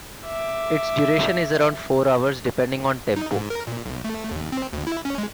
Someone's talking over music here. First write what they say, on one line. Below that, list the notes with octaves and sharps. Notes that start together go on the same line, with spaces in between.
Its duration is around four hours, depending on tempo.
E5 D6
D#4
G#2
A#4
A#2
B1
A3
D#2
C4
D2
E4
C#4
G#3